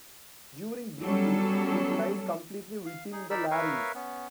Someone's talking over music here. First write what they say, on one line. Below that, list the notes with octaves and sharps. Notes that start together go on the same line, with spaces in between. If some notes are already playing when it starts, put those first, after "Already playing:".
During breathing, it lies completely within the larynx.
F#3 G3 B3 C#4 A4
F5
D#4 G#4
D#4 A#4 D5 B5 E6
A#4 B4 C#5 E5 F5
B3 C#4